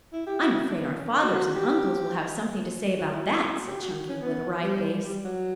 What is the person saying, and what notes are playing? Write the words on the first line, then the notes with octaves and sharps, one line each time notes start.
"I am afraid our fathers and uncles will have something to say about that," said Chunky with a wry face.
E4
G4
F#4
E4
D4
B3
C#4
D4
F#4
F#4
G4
F#4
E4
F#4
F#4
F#4
G4
F#4
C#4
B3
G3
G3
F#3